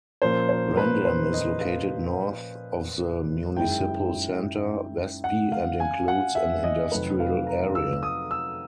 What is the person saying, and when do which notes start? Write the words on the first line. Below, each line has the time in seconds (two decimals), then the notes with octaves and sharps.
Randem is located north of the municipal centre, Vestby, and includes an industrial area.
0.22 A#2 F3 A#3 C#4 C5
0.49 C5
0.77 B4
1.05 C5
1.34 D#5
1.61 F5
3.56 F#2 D#3 G#3 C#4 E4 G5
5.24 F#5
5.52 F5
5.80 G#5
6.08 F#5
6.35 E5
6.64 D#5
6.92 F2 C3 D#3 F#3 A3 B4
7.20 F5
7.47 A#5
7.75 E6
8.03 D#6
8.31 E6